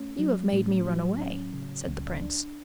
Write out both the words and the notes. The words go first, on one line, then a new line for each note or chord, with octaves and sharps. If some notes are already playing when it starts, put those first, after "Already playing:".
'You have made me run away,' said the prince.
Already playing: A3 C#4
F#3
A2
F#3
C#4
C#3
C#2
D4